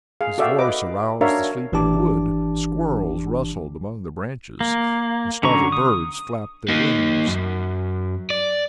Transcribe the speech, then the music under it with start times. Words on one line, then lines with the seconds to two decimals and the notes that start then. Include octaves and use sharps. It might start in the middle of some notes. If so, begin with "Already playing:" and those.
His voice aroused the sleeping wood; squirrels rustled among the branches, and startled birds flapped their wings.
0.21 G#4 F5
0.38 F#4 A4 D5 E5 F5 G5
0.59 B4 D#5 D6
1.21 D4 F#4 A#4 C#5 E5 F5
1.72 G#1 E3 D4 G4 A5 D6
4.61 A#3
5.43 D3 F#3 C#4 A#5 C#6
5.72 D#6
6.69 A#3 D#4
7.27 F#2
8.30 D5